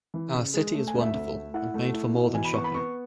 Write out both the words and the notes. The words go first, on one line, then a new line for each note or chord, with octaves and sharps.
Our city is wonderful and made for more than shopping.
E3
C#3
G#3
A3
G#5
D2
E5
D2
A3
E4 F#5
A3
E4
B2
E3 G#5
B5
B3 C#6
B5
B3 C#6